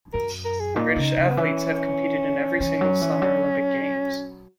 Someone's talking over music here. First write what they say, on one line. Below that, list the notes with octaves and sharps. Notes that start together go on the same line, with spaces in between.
British athletes have competed in every single Summer Olympic Games.
F#2 A#4
A#4
G#4
A#2 D#4
C#3
C#3
B3
E3 C#4
E3 C#4
F#3
E3
F#3